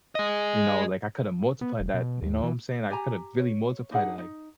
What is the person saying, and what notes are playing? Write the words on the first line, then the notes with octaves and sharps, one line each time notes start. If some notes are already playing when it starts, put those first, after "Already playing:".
you know, like, I could have multiplied that, you know what I'm saying? I could have really multiplied it, like,
G#4 D#5
B3
E1
B2
D#2
E3
G4 G#5 A#5
C#5
D4 D#4 G#4 F#5
D#4